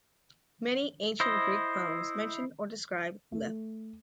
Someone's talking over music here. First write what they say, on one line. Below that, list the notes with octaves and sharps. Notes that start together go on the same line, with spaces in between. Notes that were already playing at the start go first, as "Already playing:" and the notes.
Many ancient Greek poems mention or describe Lethe.
E4 C5 D#5
A3